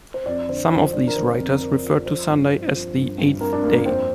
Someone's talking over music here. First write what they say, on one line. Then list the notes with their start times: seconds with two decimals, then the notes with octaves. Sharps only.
Some of these writers referred to Sunday as the "eighth day".
0.14 C5
0.26 F2 D5
0.49 D3 C5
0.71 F3 C5
0.83 C5
0.93 D3 D5
1.08 A#4
1.16 D3 C5
1.38 F2
1.61 F2 A#4
1.84 F3
2.06 F3 C5
2.28 G2
2.51 F3
2.73 F3
2.96 G2
3.18 G2
3.41 G2 A#4
3.53 D4
3.63 G2 A#3
3.75 A#3
3.86 F2 C4